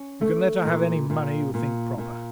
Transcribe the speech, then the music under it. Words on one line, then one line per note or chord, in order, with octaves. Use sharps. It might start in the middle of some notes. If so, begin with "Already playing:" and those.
You can let her have any money you think proper.
Already playing: C#4
A3
A#2
A#2
A#2
A#2